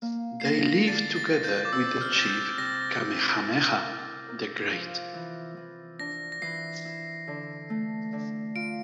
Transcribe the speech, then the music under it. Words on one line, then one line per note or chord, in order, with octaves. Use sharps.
They lived together with the chief Kamehameha the Great.
A#3
C7
A#3 A#6
D3 A6
A6
F3
G6
D6
C4 E6
F6
C4 A6
G6
C3 A#6
C4
E4
A#4
A#4
F3
E3
E3
D4 A#6
A#6
E3 C7
E4
D3
A3
D3
F4 D7